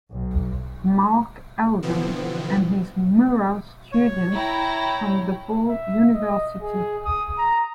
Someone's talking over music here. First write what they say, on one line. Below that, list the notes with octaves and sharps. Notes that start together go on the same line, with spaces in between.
Mark Elder and his mural students from DePaul University.
B1
B2 D3 E3 F3 B3 C4
C#5
E4 G5 A#5
E5
D#5
G#4
D#6
A#5